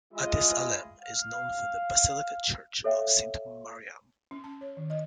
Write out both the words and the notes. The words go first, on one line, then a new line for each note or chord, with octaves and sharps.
Addis Alem is known for the Basilica Church of Saint Maryam.
G#3 E4 F4 G#4 D#5
F5
A4 C#5 E5 F5 G5
C#4
A5
C#5
D#3
D#5